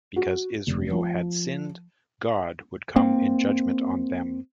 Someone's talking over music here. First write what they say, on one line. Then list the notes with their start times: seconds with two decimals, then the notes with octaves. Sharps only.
Because Israel had sinned, God would come in judgement on them.
0.16 F#4
0.67 F1
0.92 F3
2.96 A#3 C4